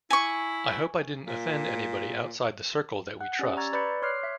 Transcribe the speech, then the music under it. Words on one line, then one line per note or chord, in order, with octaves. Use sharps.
I hope I didn't offend anybody outside the circle that we trust.
E4 G#5 C#6
A#2
F#5 F#6
C#4 G4 D5
A#5 C#6 E6 G#6 A6
B4 D5 B5 E6 G6 C#7
C#5 C6 D6 F6 F#6 C7
E5